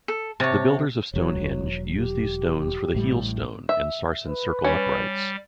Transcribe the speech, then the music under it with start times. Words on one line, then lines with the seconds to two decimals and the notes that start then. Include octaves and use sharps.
The builders of Stonehenge used these stones for the heelstone and sarsen circle uprights.
0.08 A4
0.40 C3 C#5 A5
1.13 E1 F#3 C#5
1.96 G4
2.95 A1 A2 G3
3.69 E5
4.28 B4
4.64 G3 C#4